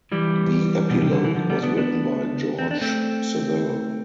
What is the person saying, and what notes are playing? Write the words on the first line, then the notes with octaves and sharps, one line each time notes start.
The epilogue was written by George Sewell.
E3 G3
B2
C3
D3
E3
D3 F3
G3 B3
B3 D4
B3 D4
C4
D4
A3 C4